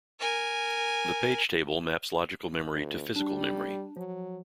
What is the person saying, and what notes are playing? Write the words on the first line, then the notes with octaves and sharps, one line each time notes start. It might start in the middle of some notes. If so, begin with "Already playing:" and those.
The page table maps logical memory to physical memory.
A#4 G#5
D2
G3 D4
F3 F#3